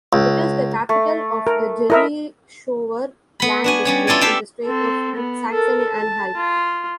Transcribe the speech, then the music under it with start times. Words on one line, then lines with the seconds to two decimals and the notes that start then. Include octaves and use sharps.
It is the capital of the Jerichower Land district in the state of Saxony-Anhalt.
0.13 C#2
0.89 A3
1.47 A#4
1.90 E4 A#4 D#5 E5
3.40 B3 B5
3.64 D4 F#4 G#5
3.85 G3 C#4 C#5
4.07 E4 F4 A4 D5 G#5
4.21 G4 A4 E5 F5 G5
4.63 C4 A4
5.16 B3
5.52 A4 A#4
5.91 A5
6.36 F4